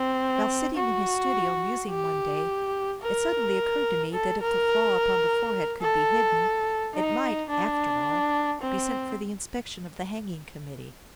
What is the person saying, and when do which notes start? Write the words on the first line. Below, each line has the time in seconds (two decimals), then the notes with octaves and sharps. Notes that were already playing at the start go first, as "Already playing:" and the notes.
While sitting in his studio musing one day, it suddenly occurred to me that if the flaw upon the forehead could be hidden, it might, after all, be sent for the inspection of the hanging committee.
Already playing: C4
0.77 F#4
1.90 G4
3.01 A#4
4.13 A4
4.41 A#4
5.81 A4
6.94 D#4
7.50 D4
8.61 C4